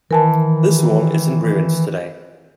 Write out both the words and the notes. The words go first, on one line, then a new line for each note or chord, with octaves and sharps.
This wall is in ruins today.
D#3 E3 A#4 G#5 A5